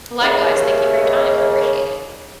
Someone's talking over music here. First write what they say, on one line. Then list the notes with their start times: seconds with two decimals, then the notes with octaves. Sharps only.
Likewise, thank you for your time, I appreciate it.
0.20 D#2 C#3 E5